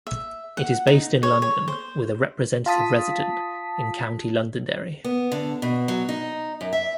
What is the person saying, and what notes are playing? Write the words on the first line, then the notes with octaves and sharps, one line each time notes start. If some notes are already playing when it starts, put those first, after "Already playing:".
It is based in London, with a "Representative" resident in County Londonderry.
E5
F#5
D#4
C#5
C#5
C5
F4 A5 D#6 B6
B3
D3
B2
F#3
D#4
F#2
E5